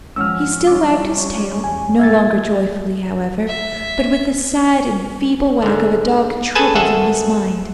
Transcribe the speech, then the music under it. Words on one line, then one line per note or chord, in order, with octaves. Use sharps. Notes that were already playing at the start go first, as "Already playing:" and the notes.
He still wagged his tail--no longer joyfully, however, but with the sad and feeble wag of a dog troubled in his mind.
G#2 F3 C#4 F#5 A5 E6 F6
E3 F#3 G3 C#4 D6
F2 D4
E2 G#5
A#2 D#3 G#3 E5 G#6 A6
E5
G#2 D3
G#4 A4 B4 G#5 A5
G#1 G#4 A4 E5 F#5